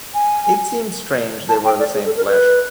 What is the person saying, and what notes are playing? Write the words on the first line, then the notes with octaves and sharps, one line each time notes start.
It seemed strange they were the same flesh.
G#5
A5
G5
D5
G#4
A4
A#4
B4